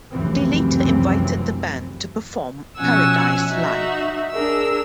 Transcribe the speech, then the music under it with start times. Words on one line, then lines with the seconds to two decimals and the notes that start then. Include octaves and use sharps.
They later invited the band to perform "Paradise" live.
0.11 F1 C#2 F#2 C3 E3 C4
2.79 B2 F3 C#4 F#5 G#5 E6
3.50 D#4 F#4 E5
4.31 D4 G#4 A#4 E6